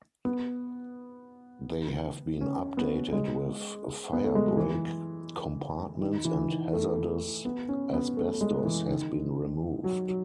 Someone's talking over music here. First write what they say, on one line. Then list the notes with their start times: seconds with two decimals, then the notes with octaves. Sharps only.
They have been updated with firebreak compartments and hazardous asbestos has been removed.
0.25 B3
2.41 C#4
2.77 B3
3.13 G#3
4.13 B3
4.24 A3
4.35 G#3
4.46 F#3
4.57 E3
6.01 D#3
6.25 E3
6.48 D#3
6.73 A3
7.45 B3
7.69 C#4
7.93 B3
8.17 A3
8.41 G#3
8.65 E3
8.88 D#3
9.84 F#3
10.09 F#3